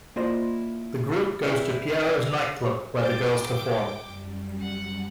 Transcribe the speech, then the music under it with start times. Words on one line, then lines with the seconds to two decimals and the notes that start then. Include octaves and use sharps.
The group goes to Pierrot's nightclub, where the girls perform.
0.16 A#3 E4 F4 C5 D5 D#5
1.44 C4 E4 G4 B4 D5 E5
2.02 A4 A#4 D5 E5 F#5 G5
3.01 C5 G5 D6 G6 A6
4.01 F#2 G3
4.61 F#5